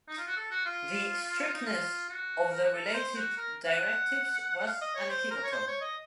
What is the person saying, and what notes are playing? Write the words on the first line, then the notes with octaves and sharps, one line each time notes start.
The strictness of the related directives was unequivocal.
D#4
F4
F#4
A4
F#4
F4
D#4
F4
F#4
A#4
F#4
A4
A#4
C5
F#4
A#4
F#5
F5
D#5
C#5
C5
A#4
C#5
C5
C#5
D#5